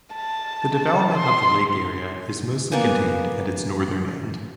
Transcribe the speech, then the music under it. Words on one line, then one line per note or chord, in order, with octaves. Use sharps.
The development of the lake area is mostly contained at its northern end.
A5
C6
A#3 B3 D5 G#5